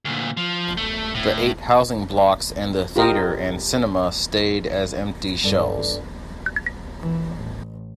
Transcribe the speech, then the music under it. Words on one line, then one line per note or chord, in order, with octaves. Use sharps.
The eight housing blocks and the theatre and cinema stayed as empty shells.
D2 A#2
F3
A3
A2
F4 G4 A#4 D#5
G2 D4 A4 D5
E3
A1